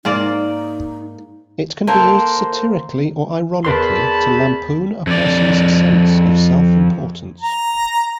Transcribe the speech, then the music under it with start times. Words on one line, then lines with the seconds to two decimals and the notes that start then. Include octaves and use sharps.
It can be used satirically or ironically to lampoon a person's sense of self-importance.
0.05 G#2 A#3 D#4 D5
1.87 A#3 A4 C5
3.65 E2 A#4 B4 A5 B5 C6
5.07 F2 D5
7.41 A#5